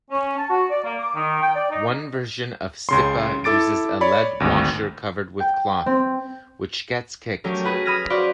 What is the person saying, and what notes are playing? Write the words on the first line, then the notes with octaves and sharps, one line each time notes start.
One version of Sipa uses a lead washer covered with cloth, which gets kicked.
C#4
A5
F#4
D5
A#3
D6
D#3
G5
D5
D#4
C#2 C#3 C6
E4 A4 D6 A6 D7
C#5 D5 B5
G#1 D2
G5
C4
F#3 A3 C#4 G4 A#4
F#4 G#4 B4 F#5
B5 D#6 F6 G#6 A#6
F#4 B4 C5 D5 F5